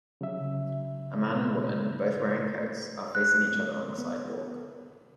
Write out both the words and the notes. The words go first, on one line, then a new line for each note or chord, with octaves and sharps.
A man and woman, both wearing coats, are facing each other on the sidewalk.
C#3 F#3 E5
F#6
B3